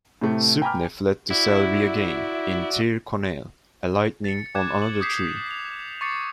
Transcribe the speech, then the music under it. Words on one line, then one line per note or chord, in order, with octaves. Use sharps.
Suibhne fled to Cell Riagain in Tir Conaill, alighting on another tree.
A2 C3 A3
G5 G#5 A#5 B5 D6 F6
E4 F#4 D5 E5
A6 C#7
D6 F#6 G#6 E7
F#7
D6 D#6 G6 B6 C7
B6 C7 F7
C#6 D6 A6 C7 C#7